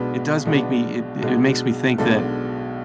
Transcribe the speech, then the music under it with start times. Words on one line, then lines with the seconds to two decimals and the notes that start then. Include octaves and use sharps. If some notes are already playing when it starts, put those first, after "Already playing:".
it does make me it it makes me think that
Already playing: B1 B2 G#3 B3 D4 B4
0.46 B1 B2 G#3 B3 D4
1.22 B1 B2 G#3 B3 D4
1.98 B1 B2 G#3 B3 D4 A4